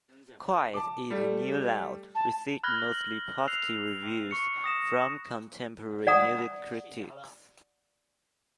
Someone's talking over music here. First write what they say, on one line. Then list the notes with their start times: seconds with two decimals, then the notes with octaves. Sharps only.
"Quiet Is the New Loud" received mostly positive reviews from contemporary music critics.
0.74 A5 D6
1.10 G3 A3
2.15 A5
2.63 B5 F6 F#6 G#6 A#6 G7
2.92 F#7
3.47 E6 F#6 C7 F7
4.31 C#6 C#7
4.64 D#6 A#6 E7
6.07 D5 F#5 A#5 D#6